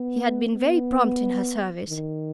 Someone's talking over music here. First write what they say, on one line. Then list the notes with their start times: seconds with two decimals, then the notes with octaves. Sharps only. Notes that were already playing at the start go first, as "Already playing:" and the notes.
He had been very prompt in her service.
Already playing: B3
0.54 B3
1.88 D#3